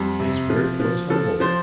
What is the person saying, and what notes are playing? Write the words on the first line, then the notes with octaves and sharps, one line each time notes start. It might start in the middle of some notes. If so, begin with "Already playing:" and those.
His birth was humble.
Already playing: F2 G3
C3
F3
F3
F3 A4
F3 C5